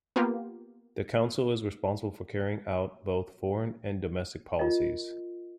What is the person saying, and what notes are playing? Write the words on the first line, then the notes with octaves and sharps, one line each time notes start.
The Council is responsible for carrying out both foreign and domestic policies.
A#3 B3 F4 G4
F4 A#4 D#5